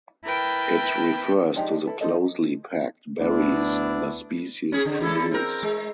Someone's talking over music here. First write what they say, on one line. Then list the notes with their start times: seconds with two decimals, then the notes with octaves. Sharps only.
It refers to the closely packed berries the species produce.
0.24 E4 A#4 B4 G5 A5
1.56 F3 G#3 D4 D#4 G4
1.86 E4 A4 B4
2.01 F3 A#3 D#4 A4 D#5
3.20 D2 B3 D4 E4
4.72 C#4 G#4
4.85 D3
5.00 E2 E4 A4
5.31 C4 A#4
5.63 G#3